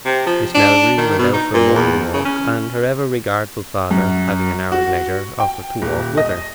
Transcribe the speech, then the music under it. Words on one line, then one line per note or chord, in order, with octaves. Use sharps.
Miss Melbury went out for a morning walk, and her ever-regardful father, having an hour's leisure, offered to walk with her.
C3
F3
D4
D#3
B2
D#4
A#2
E2
C#3
C#4
F#2
F#4
G5
D#1
D#5